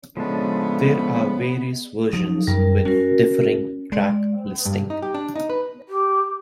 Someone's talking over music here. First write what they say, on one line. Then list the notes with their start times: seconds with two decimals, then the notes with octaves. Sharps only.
There are various versions with differing track listing.
0.17 A2 C#3 F3 G#3 A3 B3 D4
2.13 F3 F#3 D#4
2.47 F#2 G3 A#4
2.85 C#4 F#4 A#4
3.92 G#3 D5
4.66 G2
4.90 D#4
5.02 G4
5.14 D4
5.36 D#4
5.49 B4
5.89 G4